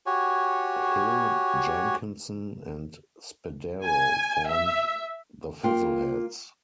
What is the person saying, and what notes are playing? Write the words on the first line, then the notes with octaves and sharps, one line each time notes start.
Hill, Jenkinson and Spadaro formed The Fizzleheads.
F#4 G4 C#5 G#5
G#5
E5
A#3 F4 G5